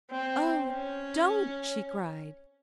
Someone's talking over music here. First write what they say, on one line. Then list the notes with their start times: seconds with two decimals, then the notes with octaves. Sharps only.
"Oh, don't!" she cried.
0.11 C4
0.70 C#4